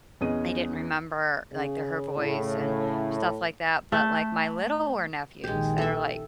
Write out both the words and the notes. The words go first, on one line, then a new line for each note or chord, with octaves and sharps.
They didn't remember, like, the her voice and stuff like that, but like my littler nephews that are like,
E2 B3 C#4 G#4 D#5 D#7
C#3
A2
A3
A#1 D#3 G#3 G4
A4 E5